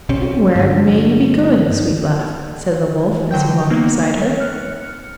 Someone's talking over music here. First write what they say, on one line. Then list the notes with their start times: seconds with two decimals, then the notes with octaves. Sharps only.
"And where may you be going, sweet lass?" said the Wolf, as he walked beside her.
0.09 C2 C3 C4 C#4
0.55 G2 D3 F#3
3.31 D3 F#3 G5 G6
3.70 F#3 A#3 B3 D#4
4.19 C#5 F5
4.40 F6 F#6 C#7